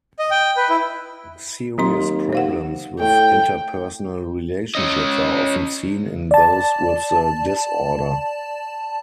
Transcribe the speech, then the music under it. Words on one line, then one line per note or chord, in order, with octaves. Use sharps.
Serious problems with interpersonal relationships are often seen in those with the disorder.
D#5
G5
B4
E4
D#2 F#3 C4 C6
C5 F5 F#5
A2 G5
C#4 D#5
D5 A5